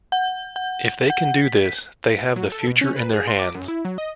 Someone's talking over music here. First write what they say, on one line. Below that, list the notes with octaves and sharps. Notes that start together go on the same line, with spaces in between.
If they can do this, they have the future in their hands.
F#5
F#5
F#5
B6
F#3
A4
B2
C#4
B4
G#4
C6
D6
F#2
E4
F#3
D#5